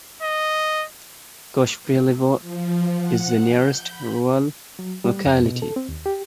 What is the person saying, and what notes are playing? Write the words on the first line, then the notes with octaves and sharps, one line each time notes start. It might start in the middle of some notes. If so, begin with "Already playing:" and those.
Kushpelevo is the nearest rural locality.
D#5
F3
F#5
G6
B5
F#3
G3
F2
B2
A4
C4
D#2
G4